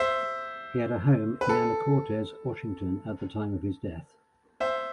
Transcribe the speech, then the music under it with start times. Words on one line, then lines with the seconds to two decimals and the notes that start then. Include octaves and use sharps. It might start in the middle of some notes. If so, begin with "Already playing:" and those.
He had a home in Anacortes, Washington, at the time of his death.
Already playing: C5 E5
1.41 B4
1.49 A4
4.60 C5 E5